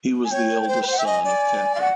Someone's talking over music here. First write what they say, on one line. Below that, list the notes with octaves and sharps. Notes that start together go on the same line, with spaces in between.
He was the eldest son of Capt.
G#5
C#5 G5
C#5
C5
B4
C5 F#5
E5 G5
D#5 G#5
D5
F5
F#5